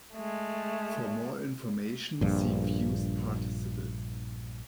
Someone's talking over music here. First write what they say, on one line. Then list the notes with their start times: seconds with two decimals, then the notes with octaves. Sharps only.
For more information see fused participle.
0.13 G#3 A3
2.21 A#1 G2